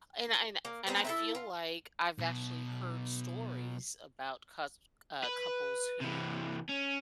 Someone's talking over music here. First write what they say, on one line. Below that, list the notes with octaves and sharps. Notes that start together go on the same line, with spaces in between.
And I and and I feel like I've actually heard stories about cusk uh, couples who
A#3
B3 C4 D#4 D#5
E4 A4 E5
F4
B1 B2
B4
C3 E3
C#4